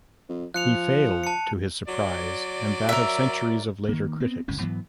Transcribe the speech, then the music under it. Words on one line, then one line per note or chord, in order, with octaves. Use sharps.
He failed, to his surprise and that of centuries of later critics.
F2
F3 F#6 C#7 F7
A5 C#7
F#3 D5
A#4 E5
D#3 A#3
B3 C4
G1 C#2 A2 C#4
G#2 E3 F#3 B3